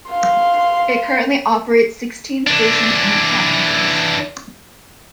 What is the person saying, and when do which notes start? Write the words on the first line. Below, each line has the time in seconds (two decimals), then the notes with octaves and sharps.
It currently operates sixteen stations in the provinces.
0.10 F5 C6
2.47 E3 D4